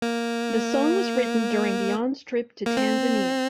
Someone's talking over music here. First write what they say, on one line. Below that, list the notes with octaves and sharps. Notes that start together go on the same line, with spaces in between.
The song was written during Beyond's trip to Tanzania.
A#3
A#3
C4